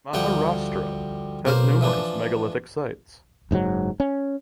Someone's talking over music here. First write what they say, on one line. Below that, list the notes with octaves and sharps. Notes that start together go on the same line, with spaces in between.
Maharashtra has numerous megalithic sites.
D2 F3 G3 F#5 G5
B1 A#3 C5 F5
E3 F3 D4
F#1 G#2 C3 F#3
C#4